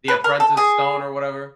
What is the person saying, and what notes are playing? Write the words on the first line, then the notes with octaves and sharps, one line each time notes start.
The Apprentice Stone or whatever?
B4
A#4
A4
G#4